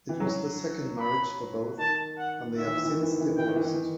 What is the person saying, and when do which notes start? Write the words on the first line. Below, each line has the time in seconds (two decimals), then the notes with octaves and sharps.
It was the second marriage for both, and they have since divorced.
0.09 E3
0.20 F#3
0.99 B5
1.78 D#3 A5
2.18 F#5
2.57 D#3 E5
2.67 E3
2.75 D#3
2.85 E3
2.94 D#3
3.02 E3
3.12 D#3
3.20 E3
3.29 D#3
3.37 E3 G5
3.48 D#3
3.56 E3
3.65 D#3
3.74 E3